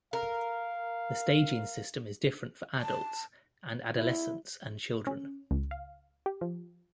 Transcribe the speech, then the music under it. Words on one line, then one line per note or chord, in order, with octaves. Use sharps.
The staging system is different for adults and adolescents and children.
A#4 F5
A5
E4
C#4
C#2
F5
G4
F3